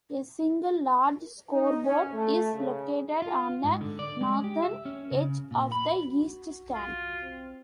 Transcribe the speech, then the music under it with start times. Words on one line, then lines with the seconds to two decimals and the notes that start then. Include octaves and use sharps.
A single large scoreboard is located on the northern edge of the east stand.
1.50 D#4
1.83 C#4
2.13 A3
2.54 C#3
3.22 F4
3.64 G#2
3.81 D3
3.99 D5
4.21 G#3
4.44 G4
4.63 E5
4.85 C#4
5.11 C#3
5.51 A#2
5.72 B5
6.06 F#4
6.74 F4
7.23 C4